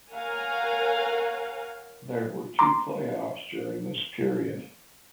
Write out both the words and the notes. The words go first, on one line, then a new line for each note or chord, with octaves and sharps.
There were two playoffs during this period.
A#4 C#5 F5 F#5 G#5 A#5
A#5 C6 D6